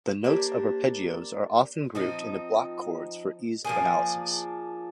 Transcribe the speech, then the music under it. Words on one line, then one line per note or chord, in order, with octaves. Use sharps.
The notes of arpeggios are often grouped into block chords for ease of analysis.
A#3 D4 G4 C5
F3 C4 D#4
F3 A#3 D4 G#4